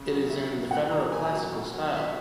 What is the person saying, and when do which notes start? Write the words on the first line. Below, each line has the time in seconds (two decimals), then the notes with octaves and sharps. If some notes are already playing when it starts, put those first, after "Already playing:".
It is in the Federal Classical style.
Already playing: C#3
0.09 F#3
0.30 C#3 E5
0.51 F#3
0.71 A#2 F#5
0.91 F#3 A#5
1.12 A#2 G#5
1.32 F#3
1.53 B2
1.73 F#3
1.94 B2 E5